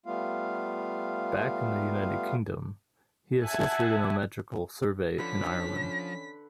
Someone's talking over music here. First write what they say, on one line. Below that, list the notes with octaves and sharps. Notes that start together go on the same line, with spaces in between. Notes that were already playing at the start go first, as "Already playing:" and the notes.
Back in the United Kingdom, he assisted in the trigonometrical survey in Ireland.
G3 A3 B3 F4 F5
E5 F#5 G#5 A5
D3 F3 C#4 B4 B6